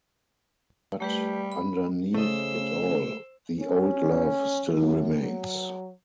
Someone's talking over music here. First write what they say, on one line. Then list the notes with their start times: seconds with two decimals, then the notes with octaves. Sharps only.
But underneath it all the old love still remains.
1.00 G3 A3 G4 B4
1.52 B5
2.14 C#3 A3 C5 D#5 E6
3.60 C#4
4.80 F#2
5.22 F#3